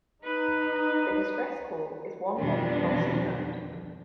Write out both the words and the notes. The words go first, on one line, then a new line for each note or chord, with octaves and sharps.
The distress call is one long pulsed note.
D#4 B4
F2 B2 D#3 F3 G3 D4